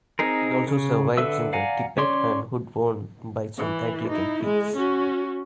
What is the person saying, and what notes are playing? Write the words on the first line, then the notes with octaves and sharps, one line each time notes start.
It also survives in the tippet and hood worn by some Anglican priests.
C4 D#4 G#4 A#4
C#3
D3 A4 B4 E5 E6
D5 F5 F#5 G#5 A#5
C#4 C#5 D5 C6
E3
D#4 E4
G#3
C#4 F#4